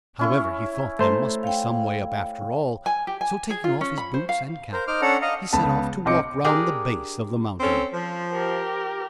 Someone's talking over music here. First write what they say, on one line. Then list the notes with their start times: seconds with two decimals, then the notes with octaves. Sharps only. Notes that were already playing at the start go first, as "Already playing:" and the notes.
However, he thought there must be some way up after all; so taking off his boots and cap, he set off to walk round the base of the mountain.
0.19 C#4 E4 C#6
0.99 A3 C5 A#5
1.43 F5 G5
2.86 G#5
3.07 G4
3.21 G#5
3.50 G#4
3.64 F4
3.81 C#4
3.98 B5
4.14 C5
4.29 F5
4.73 A#4 C5
4.87 D#4 C5 D6 F6
5.02 C#4 D4 A4 F#5 A#5
5.22 D#5 F5 A#5
5.53 C#2 B3 A5 B5
6.05 B1 C4 D#5 D6 C#7
6.44 D4 G4 G#4 A#4
7.60 C4 C#4 A4
7.93 F3
8.33 G4 A#4